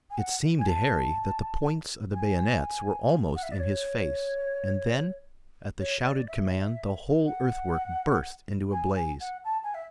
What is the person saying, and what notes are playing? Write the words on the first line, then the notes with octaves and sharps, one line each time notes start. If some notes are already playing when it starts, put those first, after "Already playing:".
It seemed to Harry that the points of the bayonets were almost in his face, and then, at the shouted command, the whole earthwork burst into a blaze.
G#5
F#5
G#5
A5
G#5
F#5
E5
D5
C#5
C#5
D5
E5
F#5
G#5
G#5
F#5
A5
G#5
E5